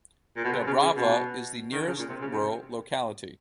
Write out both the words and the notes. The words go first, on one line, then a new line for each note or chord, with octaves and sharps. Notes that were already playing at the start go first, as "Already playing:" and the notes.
Dubrava is the nearest rural locality.
A#2
B2
C3
C#3
C#3
B2
D#3
D3
C#3
A#2
C3
C#3
C3